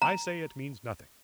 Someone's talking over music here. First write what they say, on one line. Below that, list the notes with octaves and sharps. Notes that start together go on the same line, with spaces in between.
'I say it means nothing.
A#5